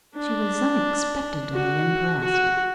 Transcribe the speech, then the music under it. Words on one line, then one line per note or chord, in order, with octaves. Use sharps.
She was unexpectedly impressed.
D4
F#4
F#4